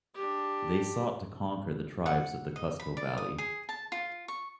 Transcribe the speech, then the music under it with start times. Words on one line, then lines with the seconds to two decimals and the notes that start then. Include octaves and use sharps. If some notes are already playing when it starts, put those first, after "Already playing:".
They sought to conquer the tribes of the Cusco Valley.
0.14 D4 G4
2.06 F#5
2.56 D#5
2.80 B5
2.97 D5
3.18 D#6
3.38 G#4
3.69 A5
3.92 F4
4.28 C#6